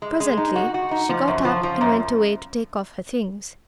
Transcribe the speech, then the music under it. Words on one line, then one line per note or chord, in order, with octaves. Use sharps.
Presently she got up and went away to take off her things.
G#3
G#3
D#4
F#4
F#4
D#4
F3
F#2
F3
F3
F#2